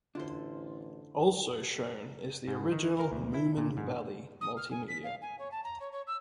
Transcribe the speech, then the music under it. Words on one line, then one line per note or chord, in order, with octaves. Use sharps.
Also shown is the original Moomin Valley multimedia.
A1 D3 D4 E4 F4 A4 C5
G#2
D#3
A#4
D2
E4
A#2
G#2
D#6
F6
G#5
B6
F5
G#5
C#5
A5
A#5
C#5
C#5
E6